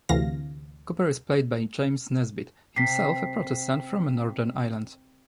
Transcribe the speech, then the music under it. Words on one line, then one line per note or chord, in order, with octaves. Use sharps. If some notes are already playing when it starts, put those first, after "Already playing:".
Cooper is played by James Nesbitt, himself a Protestant from Northern Ireland.
D2 C3 E3 F5 A#6
C3 B6 C7